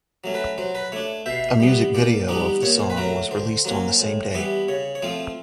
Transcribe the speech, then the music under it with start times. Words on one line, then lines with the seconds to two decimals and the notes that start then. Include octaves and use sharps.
A music video of the song was released on the same day.
0.24 F#3 A3 C#4
0.35 B4
0.58 F#3 C5
0.75 B4
0.92 A3 D4 C#5
1.26 B2 E5
1.60 G3 B3
1.95 A#2 D5
2.29 G3 B3 D#4 D5
2.62 A#2 C#5
2.79 C5
2.90 B4
2.97 F#3 A3 A#4
3.31 D3 C5
3.65 F#3 A#3 C#4
4.00 A2
4.34 E3 G3 B3 E4
4.68 C#3 C#5
4.95 C#5
5.02 F3 A3 C4 F4 C5